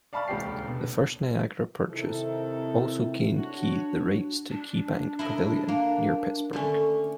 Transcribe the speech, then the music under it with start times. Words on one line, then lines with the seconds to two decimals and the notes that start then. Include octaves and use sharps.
The First Niagara purchase also gained Key the rights to KeyBank Pavilion near Pittsburgh.
0.13 D5 F5 A5 B5 C#6 F6
0.28 D#1 C#2 D4 G4 C7
0.67 B2
1.90 C3 D#3 E4 A4
3.38 D4 F#4 C#5
4.50 D4
5.19 E4 A#4 D#5
5.68 A#3
6.53 D3 A3 C#4